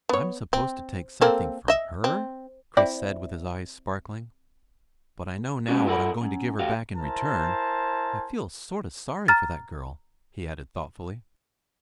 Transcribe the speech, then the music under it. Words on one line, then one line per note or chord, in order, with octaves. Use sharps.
"I'm supposed to take something from her," Chris said with his eyes sparkling, "but I know now what I'm going to give her back in return. I feel sort of sorry for that girl," he added thoughtfully.
B3 C#5
C4
A#3 C4 A4
D#5 E5
C4
C4 E4 D5
G3 G#3 A#3 B3 C#4 F#4
F4 A4 A#4 F#5 B5
F#2
A3 F#4 G4 F5
E4 A#4 C5 G#5 A5
A#5 F6 A6